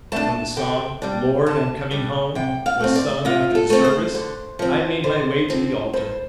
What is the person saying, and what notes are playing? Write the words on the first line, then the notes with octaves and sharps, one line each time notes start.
When the song, "Lord, I'm coming home," was sung after the service I made my way to the altar.
A3 D4 A5
D3 G5
G3 D4
D3 A5
G3 D4
C3 G5
F5
A3 C4
D5
C3 F4
A4
A3 C4
C5
D3
F3 C4
D3 C5
F3 C4
G2 C5